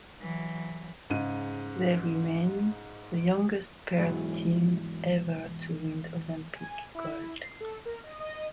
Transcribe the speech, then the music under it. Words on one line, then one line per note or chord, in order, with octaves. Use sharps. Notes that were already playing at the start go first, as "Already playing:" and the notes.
They remain the youngest pairs team ever to win Olympic gold.
E3 F#3
G#2 C#3 D#7
E2 G#2 C#3 E3 F#3
G#5
E4
C7
A4
A#4
D#5
D#5